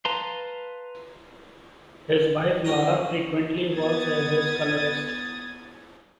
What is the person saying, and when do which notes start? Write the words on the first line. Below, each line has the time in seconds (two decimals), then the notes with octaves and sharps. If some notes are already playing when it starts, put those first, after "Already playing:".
His wife, Laura, frequently works as his colorist.
0.05 B4 F5 A5 A#5 C6
2.65 A1 C#4 G5 A#5 D#6
3.75 B3 D#6 G#6 A6